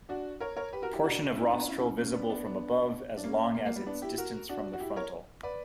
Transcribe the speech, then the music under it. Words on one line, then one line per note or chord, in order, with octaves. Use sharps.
Portion of rostral visible from above as long as its distance from the frontal.
D4 F#4
A#4 C#5
A#4 C#5
G4 B4
F#4 A#4
E4 G4
D4 F#4
C#4 E4
B3 D4
C#4 E4
C#4 E4
A#3 C#4
B3 D4
B3 D4
B3 D4
D4
A#3 C#4
A#3
A#3
G3 B3
B3 D4
E4 G4
F#4 A#4
D4 F#4
F#4
E4 G4
A#4 C#5
B4 D5